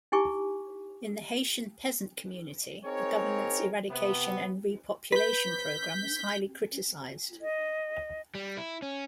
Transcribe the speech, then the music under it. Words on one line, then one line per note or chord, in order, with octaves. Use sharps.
In the Haitian peasant community, the government's eradication and repopulation program was highly criticized.
D#4 E4 G4 G#5 C#6 D6
C4 D#4 G#4 A#4 C#5
C3 B3
B4 G6 B6
D#5
G3
E4
C#4